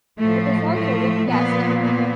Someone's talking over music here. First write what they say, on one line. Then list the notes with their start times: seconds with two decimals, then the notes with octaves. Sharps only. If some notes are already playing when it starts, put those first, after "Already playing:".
It is also webcast.
0.19 A2 F3 A3
0.73 A3
1.28 A#2 F3 B3
1.83 B3